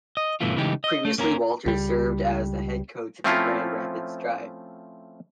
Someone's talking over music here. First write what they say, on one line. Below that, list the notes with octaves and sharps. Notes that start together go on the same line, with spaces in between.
Previously Walters served as the head coach of the Grand Rapids Drive.
D#5
G2 B2 E3 A3 F4
C#3 E3 G#3 A3 D#4 G4
D#5
A3
A#3 C#4 F4 A#4
C#2 G3
F3 A3 C4 C#4 E4 F4